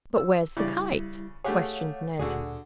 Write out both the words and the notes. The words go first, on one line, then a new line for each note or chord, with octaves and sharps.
"But where's the kite?" questioned Ned.
E6
C#3 E3 G3 E4 D5
A3 G4 G#4 C#5 F5 F#5
D2 A#2 D3 F#4 G#4